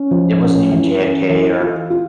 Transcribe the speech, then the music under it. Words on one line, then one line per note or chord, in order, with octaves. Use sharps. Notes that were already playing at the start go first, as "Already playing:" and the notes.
it wasn't even JFK or
Already playing: C#4
F3
C#4
E3
C#4
E3
F4
F4